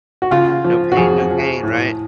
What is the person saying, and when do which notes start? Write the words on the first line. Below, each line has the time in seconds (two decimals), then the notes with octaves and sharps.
No pain, no gain, right?
0.22 F#4
0.31 C#3 F4
0.65 F3
0.92 F#4
0.97 F2 G#4
1.31 F3
1.63 A2